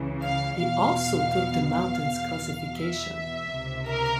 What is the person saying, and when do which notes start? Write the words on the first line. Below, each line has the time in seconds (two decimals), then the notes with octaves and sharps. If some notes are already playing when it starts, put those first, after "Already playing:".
He also took the mountains classification.
Already playing: C#2 C#3 E3
0.21 F5
0.58 E2 B2 F5
1.68 F5
2.05 E2 B2
2.78 E5
3.52 C#2 C3 D#3
3.88 A#4